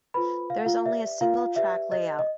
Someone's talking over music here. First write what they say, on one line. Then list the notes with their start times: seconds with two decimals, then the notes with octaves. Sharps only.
There is only a single track layout.
0.14 F4 A4 B4 C5 B5
0.50 F5
0.58 F#5
0.66 F4 F5
0.86 G4 B4 D5 E5
1.21 F4 F5
1.56 G4 B4 D5 E5
1.92 D#5
2.19 D#5